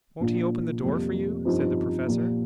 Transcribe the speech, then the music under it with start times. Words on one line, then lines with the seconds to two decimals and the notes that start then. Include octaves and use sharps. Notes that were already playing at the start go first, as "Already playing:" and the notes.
"Won't he open the door for you?" said the Professor.
0.20 A#1 A#2 F3 A#3
0.83 F2 C3 G3 A#3
1.45 G1 G2 F3 C4 D#4
2.07 A#2 F3 A#3 G4